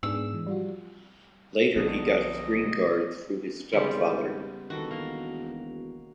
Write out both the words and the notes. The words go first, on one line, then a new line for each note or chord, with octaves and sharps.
Later he got his green card through his stepfather.
G#2 B3 D4 G#4 E6
E3 G#3
F3 G3 F4 F#4
B1 B2 D3 F3 D#5
G#1 C#3 G3 G#3 B3 B4 C6
E1 D#3 F#4 A4 B4
A#3